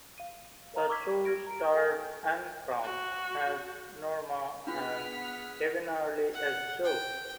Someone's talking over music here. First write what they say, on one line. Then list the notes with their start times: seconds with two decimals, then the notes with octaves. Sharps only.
The show starred Ann Crumb as Norma and Kevin Earley as Joe.
0.18 F5 D#7
0.74 A#4 C#5 F5 A#5
0.89 C#6 D6 E6 F6 G#6 B6
1.25 F6 G#6 A#6 D7
1.47 A#5 D7
1.75 A4 F5 G5 G#5
2.83 F#4
4.67 B3 D4 F4 G#4 F#5 F6 B6
6.34 F#5
6.84 G5